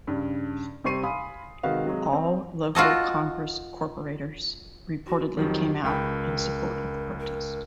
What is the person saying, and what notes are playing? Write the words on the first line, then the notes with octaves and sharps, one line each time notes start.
All local Congress Corporators reportedly came out in support of the protest.
G2 C#3
C3 G3 C5 C#6 C7 D#7
F5 G#5 B5 C6 D#6
C3 D#3 G#3 F#4 B4 F5
C3 F#3 G#3
C4
F4 F#4 A4 D#5
F#4
F2 D#3 F#3 G4
C#2 A#4 G5 B5
A#4